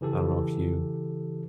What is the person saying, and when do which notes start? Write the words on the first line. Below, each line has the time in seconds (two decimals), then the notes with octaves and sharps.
I don't know if you
0.01 C#3 E3 G4 A4